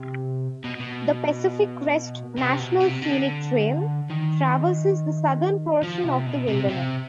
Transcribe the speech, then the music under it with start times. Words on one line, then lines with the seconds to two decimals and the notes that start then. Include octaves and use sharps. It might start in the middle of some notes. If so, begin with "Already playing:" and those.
The Pacific Crest National Scenic Trail traverses the southern portion of the wilderness.
Already playing: C3
0.64 B2
0.80 B2
2.37 C3
2.59 B2
2.80 C3
3.02 D3
4.10 D#3
5.83 F3
6.04 C3
6.26 B2
6.47 C3
6.68 C3